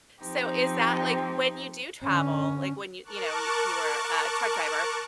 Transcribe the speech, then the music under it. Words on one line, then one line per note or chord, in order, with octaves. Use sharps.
So, is that like when you do travel, like, when you, you know, you if you were a truck driver
F3 C4 D#4 G4
D3 C#4
A#4 A5 C#6 D6 F#6